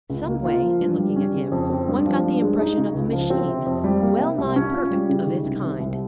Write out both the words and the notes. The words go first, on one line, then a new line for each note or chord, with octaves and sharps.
Someway, in looking at him, one got the impression of a machine, well-nigh perfect of its kind.
C#2
A#3
F4
F3
G2
G3
C#4
C#3
F2
C4
G2
F3
G2
G#3
D#4
C#3
C#2
F3
C4
C3
F2
G3
A#3
C3
C2
C#4
F4
G3
C#3
D#3
C2
C3
C2